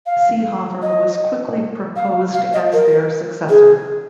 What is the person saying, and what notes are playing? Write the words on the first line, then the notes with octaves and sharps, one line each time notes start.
Seehofer was quickly proposed as their successor.
F5
D#5
F5
F5
D#5
A#4
G#4